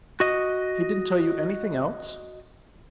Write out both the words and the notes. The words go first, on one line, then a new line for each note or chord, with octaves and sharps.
"He didn't tell you anything else?"
F#4 D#5